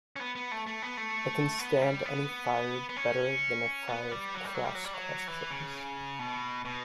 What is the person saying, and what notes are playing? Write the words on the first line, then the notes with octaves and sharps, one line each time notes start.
I can stand any fire better than a fire of cross questions.
C#4
B3
B3
A3
A3
B3
A3
B3
G3
B3
B3
C#4
B3
G3
F#3
G3
F#3
G3
F#3
G3
F#3
E3
C#3
B2
B2